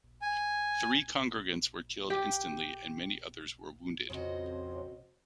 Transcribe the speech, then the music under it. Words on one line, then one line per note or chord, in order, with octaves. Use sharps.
Three congregants were killed instantly and many others were wounded.
G#5
G4
F2 C#3 C4 F#4 C5 C#5 D#5